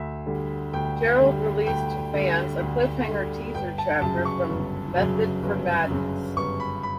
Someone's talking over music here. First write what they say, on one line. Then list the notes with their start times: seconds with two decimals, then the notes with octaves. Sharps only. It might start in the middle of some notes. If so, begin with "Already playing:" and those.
Gerrold released to fans a cliffhanger teaser chapter from "Method for Madness".
Already playing: D2 E5
0.26 D3 G3
0.73 D2 G5
1.20 D3 G3
1.67 D2 G5
2.14 D3 G3
2.60 D2
3.08 D3 G3
3.55 G1 G5
3.78 A5
4.01 F#2 C#3 F#3 A5
4.25 C#6
4.49 G1
4.96 F#2 C#3 F#3
5.43 G1
5.90 F#2 C#3 F#3
6.36 G1 C#6
6.60 B5
6.83 B5